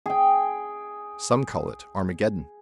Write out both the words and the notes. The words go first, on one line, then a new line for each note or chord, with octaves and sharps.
"Some call it Armageddon."
G#4 G5